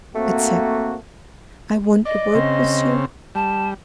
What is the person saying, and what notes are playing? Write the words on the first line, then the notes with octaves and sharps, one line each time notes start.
It said: "I want a word with you."
A3 A#3 C4 F#4
D5 D#5
C#3 C4
G3 A5